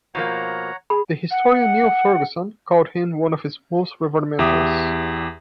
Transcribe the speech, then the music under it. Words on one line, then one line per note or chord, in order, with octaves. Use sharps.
The historian Niall Ferguson called him one of his "most revered mentors".
B2 F3 A#3 C#5 F#5 A#5
G#4 B5
F#5
E2 G4 E5 D6 D#6